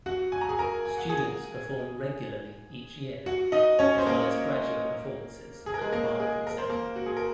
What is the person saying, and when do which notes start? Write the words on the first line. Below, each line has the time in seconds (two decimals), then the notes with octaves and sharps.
Students perform regularly each year, as well as graduate performances at The Barbican Centre.
0.06 F#4 F#5
0.32 G#5
0.41 A#5
0.49 G#4 G#5
0.59 A#4 A#5
0.85 G#5
0.98 F#5
1.09 G#4 G#5
3.26 F#4 F#5
3.52 D#4 D#5
3.79 C#4 C#5
3.98 C5
4.06 A#3 A#4
5.66 G#4
5.74 A#4
5.81 G#3 G#4
5.92 A#3 A#4
6.20 G#3 G#4
6.47 A#4
6.58 C5
6.69 A#3 A#4
6.96 F#4
7.06 G#4
7.17 A#4